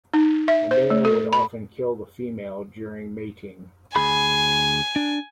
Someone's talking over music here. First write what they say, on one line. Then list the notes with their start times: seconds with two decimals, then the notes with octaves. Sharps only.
A male would often kill the female during mating.
0.14 D#4
0.48 E5
0.71 C5
0.90 A3
1.05 A4
1.33 B5
3.96 D2 G#4 G#5 B5
4.96 D4